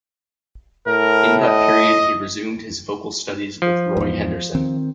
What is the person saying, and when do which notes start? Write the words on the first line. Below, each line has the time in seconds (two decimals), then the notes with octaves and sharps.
In that period he resumed his vocal studies with Roy Henderson.
0.87 A2 A#4
1.43 D#5
3.62 F3
3.97 E2 G#2
4.55 D#3 C4